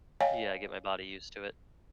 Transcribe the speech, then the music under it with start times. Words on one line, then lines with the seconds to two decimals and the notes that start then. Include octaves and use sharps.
Yeah. I get my body used to it.
0.21 C#5 D#5 F5 G5 G#5